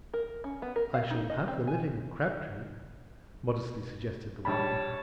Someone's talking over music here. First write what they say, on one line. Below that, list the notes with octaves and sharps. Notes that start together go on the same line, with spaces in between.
"I shall have the living of Crabtree," modestly suggested the warden.
A#4
C#4
B3
A#4
F5
D#4
D#5
C4
G#5
A#1 G3 C#5 A5 B5